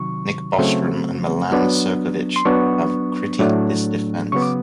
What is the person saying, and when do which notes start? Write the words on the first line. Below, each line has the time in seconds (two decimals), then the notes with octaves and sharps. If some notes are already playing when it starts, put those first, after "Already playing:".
Nick Bostrom and Milan Cirkovic have critiqued this defense.
Already playing: C3 D#3 F#3 C#6
0.58 C#3 F#3 A3 C4
1.52 F#3 B3 D4
2.36 C6
2.45 F#3 B3 D4 C#6
3.39 A2 F#3 A3 D4
4.32 C#3 F#3 B3 C#6
4.42 D6